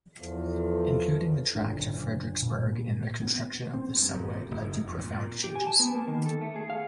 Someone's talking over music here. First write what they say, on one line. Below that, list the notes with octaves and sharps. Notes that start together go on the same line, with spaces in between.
Including the track to Frederiksberg in the construction of the subway led to profound changes.
E2 F3 A4
F#1 A#2 D3 D4
A#2
B3
C4
G2
D#1
A#2
F#1
G#2
F2
A#2
A#2
G4
G#5
A5
B3
A#3
D#3
A4
A3
G#4
F5